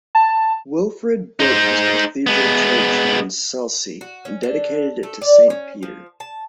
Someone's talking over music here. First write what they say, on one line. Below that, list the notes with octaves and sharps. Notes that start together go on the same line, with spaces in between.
Wilfrid built his cathedral church in Selsey and dedicated it to Saint Peter.
A5
D#4 C5
G#3 B3
F#4
C#4
D3
A3
D5
C#4
F3
A5